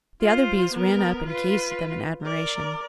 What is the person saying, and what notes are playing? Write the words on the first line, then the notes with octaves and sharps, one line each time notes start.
The other Bees ran up and gazed at them in admiration.
F4 C5
B3 A#4
F4 B4
A#4 D5